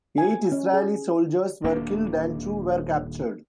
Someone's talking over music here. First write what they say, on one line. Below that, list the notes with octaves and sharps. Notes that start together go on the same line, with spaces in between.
Eight Israeli soldiers were killed and two were captured.
G#5
C#4
G#4
D#1 A#3 D4